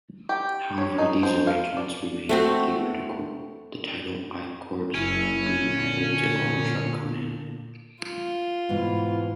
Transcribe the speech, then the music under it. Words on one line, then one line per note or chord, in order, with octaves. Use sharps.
However, these arrangements remained theoretical, the title 'I Corps' being added to Aldershot Command.
G4
C#5
D#4
C5
F5
D5
A3 C4 F#4
F#1 C#4 E4
A#2 D3
F4
G#2 B2 E3 E4